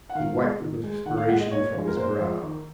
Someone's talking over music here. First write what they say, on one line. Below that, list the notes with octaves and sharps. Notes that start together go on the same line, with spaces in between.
He wiped the perspiration from his brow.
F#5
D#3 F5
G#3
D#3
G#3
D#3 F#5
F5
G#3 F#5
D#5
A#2 C#5
F3 G#3
A#4
A#2 C5
F3 G#3
D#3